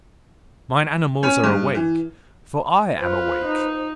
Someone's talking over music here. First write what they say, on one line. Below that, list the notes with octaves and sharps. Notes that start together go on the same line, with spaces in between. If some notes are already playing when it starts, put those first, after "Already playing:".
Mine animals are awake, for I am awake.
C#4
G2
E3
F4 B4 C5
D#4